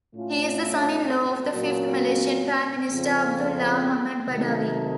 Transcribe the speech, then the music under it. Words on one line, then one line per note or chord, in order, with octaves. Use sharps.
He is the son-in-law of the fifth Malaysian Prime Minister Abdullah Ahmad Badawi.
A2 A3 C#4 F4
A#2 F#3 A#3 C#4 F#4
F2 C#3 F3 C4
C3 D#3 F#3 A3 D#4